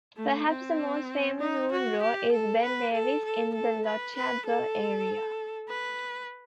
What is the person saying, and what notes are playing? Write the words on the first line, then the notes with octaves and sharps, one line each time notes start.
Perhaps the most famous Munro is Ben Nevis in the Lochaber area.
A3
C4
D#4
F#4
G4
A4
B4
A4
A4
A4
B4
B4
A4
B4